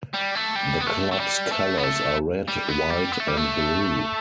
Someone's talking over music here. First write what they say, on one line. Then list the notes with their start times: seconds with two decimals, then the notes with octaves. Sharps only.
The club's colors are red, white and blue.
0.14 G3
0.35 A3
0.55 G3
0.81 B3
0.87 A3
1.12 A3
1.20 G3
1.52 A3
1.78 B3
1.84 A3
2.48 G3
2.69 B3
2.91 G3
3.12 B3
3.20 A3
3.28 G3
3.37 A3